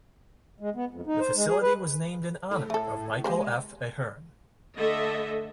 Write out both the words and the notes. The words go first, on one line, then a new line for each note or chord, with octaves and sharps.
The facility was named in honor of Michael F. Ahearn.
G#3
B3
F2
D#4
C5
G#3
G#4
B4
A2
A3 A4
G#3 A#3 G4 C5
D3 A3 A4 D#5 E5